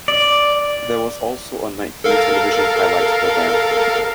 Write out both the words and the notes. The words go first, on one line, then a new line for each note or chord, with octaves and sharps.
There was also a nightly television highlight programme.
D5
A4 A#4 F5